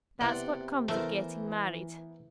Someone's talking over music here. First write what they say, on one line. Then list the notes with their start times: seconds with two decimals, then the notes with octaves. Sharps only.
That's what comes of getting married.
0.21 C3 B3 E4 D5 F#5 C6
0.88 E3 A3 B3 E4 A#4 C5